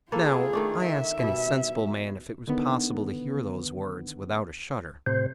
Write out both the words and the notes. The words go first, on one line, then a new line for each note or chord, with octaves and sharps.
Now I ask any sensible man if it was possible to hear those words without a shudder.
A#3 F4 G#4 A4 B4
D#3 A3 D4
E5
B2 G3
D3 D#3 B3
A2 C3 C5